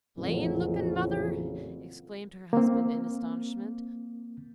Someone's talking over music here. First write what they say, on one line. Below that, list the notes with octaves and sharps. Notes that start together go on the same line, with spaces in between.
"PLAIN LOOKING, mother?" exclaimed her husband in astonishment.
A1 F2 A#2 C#3 F#3
A#3 C4